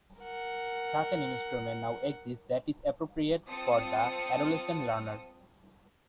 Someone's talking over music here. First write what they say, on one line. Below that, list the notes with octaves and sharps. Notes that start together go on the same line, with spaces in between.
Such an instrument now exists that is appropriate for the adolescent learner.
A#4 F#5
C4 F4 A5 D#6 C#7